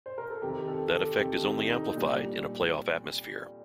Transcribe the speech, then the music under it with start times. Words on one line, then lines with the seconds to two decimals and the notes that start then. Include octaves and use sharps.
That effect is only amplified in a playoff atmosphere.
0.06 C5
0.18 A#4
0.30 A4
0.42 F2 C3 D#3 G4
0.68 A4
0.89 A4
0.93 G4
1.18 F2 C3 D#3
1.44 D#4
1.69 D#4
1.95 A#2 G3 D4